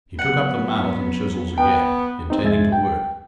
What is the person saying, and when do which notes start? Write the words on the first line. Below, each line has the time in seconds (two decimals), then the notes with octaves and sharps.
He took up the mallet and chisels again, intending to work.
0.19 F#3 B3 F#5
1.58 B3 G5
2.30 C4 D#4
2.43 C2 F2 G#3 E5 G#6 A6
2.72 G5